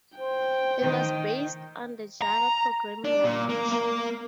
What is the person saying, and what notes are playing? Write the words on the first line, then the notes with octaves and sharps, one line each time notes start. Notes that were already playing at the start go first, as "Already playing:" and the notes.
It was based on the Java programming language.
C5 G5
D#3
A#5
D4
A#2
A#3
A#3